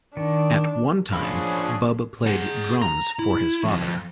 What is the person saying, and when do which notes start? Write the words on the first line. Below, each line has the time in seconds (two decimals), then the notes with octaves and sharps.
At one time, Bub played drums for his father.
0.17 D#3 D4
1.12 F3 C#4 D4 G#4 B5
2.26 G#4 F#5
2.82 A#5
3.19 E4
3.65 F2